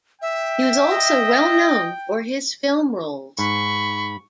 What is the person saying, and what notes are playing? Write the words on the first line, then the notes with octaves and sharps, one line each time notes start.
He was also well known for his film roles.
E5 G5
D#5
G#2 B5 C#6